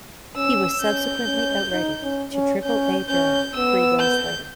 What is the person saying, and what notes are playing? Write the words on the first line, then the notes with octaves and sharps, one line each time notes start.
He was subsequently outrighted to Triple-A Durham three days later.
C#4 E6
C#4 G6
C#4
D#4
C#4
C#4
C#4 G6
C#4 G6
B3 E6
G6